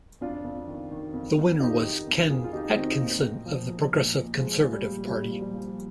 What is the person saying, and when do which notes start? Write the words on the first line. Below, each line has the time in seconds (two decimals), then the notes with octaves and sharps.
The winner was Ken Atkinson of the Progressive Conservative Party.
0.21 F2 D4 F4
0.44 F2
0.67 D#3
0.91 D#3
1.13 F2
1.37 F2
1.60 D#3 D#4 G4
1.84 D#3
2.07 F2
2.30 F2 F4 G#4
2.44 F4
2.53 D#3 D#4 G4
2.76 D#3 C4 D#4
3.00 A#2
3.22 A#2
3.46 F3
3.69 F3
3.92 A#2
4.14 A#2
4.38 F3 G#3
4.62 F3
4.73 G3
4.85 A#2
5.07 A#2 G3
5.31 F3
5.42 G3
5.54 F3